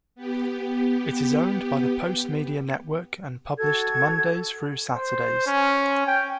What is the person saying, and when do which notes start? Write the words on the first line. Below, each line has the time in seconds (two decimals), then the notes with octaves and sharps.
It is owned by the Postmedia Network and published Mondays through Saturdays.
0.15 B3 G4
3.59 F#4 A4 G#6
4.95 C5
5.47 C#4
6.07 G5